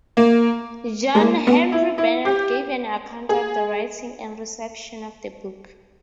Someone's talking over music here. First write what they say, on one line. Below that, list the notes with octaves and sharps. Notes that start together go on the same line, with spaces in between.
John Henry Bennett gave an account of the writing and reception of the book.
A#3
G#3
A#3
B3
E4
E4
G4
G#4